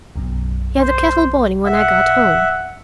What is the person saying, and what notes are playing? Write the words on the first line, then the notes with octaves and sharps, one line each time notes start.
He had the kettle boiling when I got home.
B1 F#2 B2
C5
E5 F#5